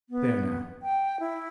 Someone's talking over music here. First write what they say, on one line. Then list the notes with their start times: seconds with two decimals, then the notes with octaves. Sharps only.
There, now.
0.09 B3
0.82 G5
1.20 E4